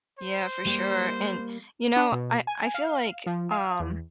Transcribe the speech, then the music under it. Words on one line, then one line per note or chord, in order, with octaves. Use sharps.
Yeah, for sure, and, you know, I I feel like, um,
C5
G3 A#3
D4
B2
G#5
F5
F3
F5
E2